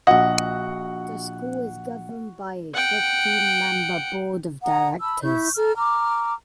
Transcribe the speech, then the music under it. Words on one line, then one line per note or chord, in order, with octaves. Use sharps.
The School is governed by a fifteen-member Board of Directors.
A#1 F#4 D#5 F#5
F#5 G5
F#5 A#5 D#6
A5 B5 E6
E4 C#6 G6
A4 A#5 F6
A#5 D6 F6